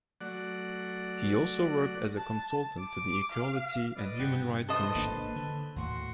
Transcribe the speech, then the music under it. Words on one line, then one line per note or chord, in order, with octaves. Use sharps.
He also worked as a consultant to the Equality and Human Rights Commission.
F#3 A3 D5 F#5
A5
D6
F5
B4 D5 D#5
G2 C3 F#5 G5
A4 B4 C5 D#5 A5
G#1 A#3 D4
D3
D#2 A2 F#4 C6